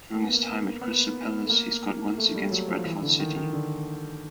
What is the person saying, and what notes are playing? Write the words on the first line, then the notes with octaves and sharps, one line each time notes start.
During his time at Crystal Palace, he scored once against Bradford City.
A#3
B3
A#3
B3
A3
A#3
A3
G3
F#3
F3
E3
D3
D#3
D#3
D3